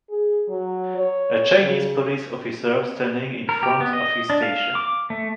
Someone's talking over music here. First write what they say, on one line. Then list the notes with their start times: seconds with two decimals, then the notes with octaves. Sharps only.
A Chinese police officer standing in front of his station.
0.10 G#4
0.49 F#3
0.98 C#5
1.62 C#3
3.49 A#4
3.63 G4
3.81 B3
3.93 D#5
4.30 D4
4.42 F5
4.75 D6
5.10 A3